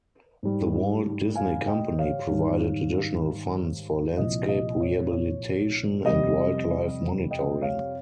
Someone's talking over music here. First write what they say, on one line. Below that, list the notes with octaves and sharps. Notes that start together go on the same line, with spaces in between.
The Walt Disney Company provided additional funds for landscape rehabilitation and wildlife monitoring.
G#2 G3
F5 G#5
D#5 G5
C#5 F5
G#2 D#3 G3
C2 A#2 F3 D#5
D#5
C#5
C#5
F2 C3 G3 D#5
D#5 G5
C#5 F5